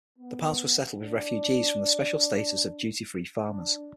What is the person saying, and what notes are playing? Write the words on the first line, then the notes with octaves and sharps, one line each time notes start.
The parts were settled with refugees with the special status of duty-free farmers.
B3
D4
D4